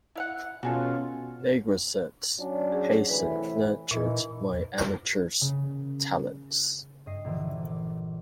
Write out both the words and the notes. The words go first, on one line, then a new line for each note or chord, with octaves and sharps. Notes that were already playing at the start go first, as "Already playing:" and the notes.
Nagua says: Hassan nurtured my amateur's talents...
E4 F5 F#5
B2 C#4 F4 F#4 G#4 A4
F#3 C#4 D4
G#4
A2 C3 E3 B4
A#2 E3 D#4 E4
C#3 A#3
G2 D#5 C7
A#1 D3 E3
D6